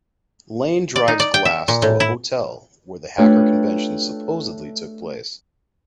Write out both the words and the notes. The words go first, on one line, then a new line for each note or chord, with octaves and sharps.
Lane drives Glass to a hotel where the hacker convention supposedly took place.
D5
D#4
D5
G5
E5
A#2
A2
E4
A3 D4 F4 G4 B4 C#5